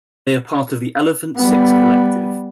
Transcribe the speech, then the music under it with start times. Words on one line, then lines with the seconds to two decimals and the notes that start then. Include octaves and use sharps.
They are part of the Elephant Six Collective.
1.37 G3 B3